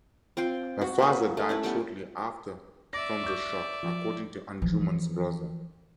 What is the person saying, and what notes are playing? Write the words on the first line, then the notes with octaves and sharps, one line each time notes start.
Her father died shortly after from the shock, according to Anjuman's brother.
C4 F4 G5 C6
F#4
A#3 B4
A3
C#4 E4 B4
G3 B3
D5 E5 A#6
C#6 D6 G6
F3
E3 F3